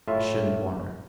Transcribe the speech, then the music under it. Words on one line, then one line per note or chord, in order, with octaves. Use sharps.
I shouldn't wonder!
A2 F4 E5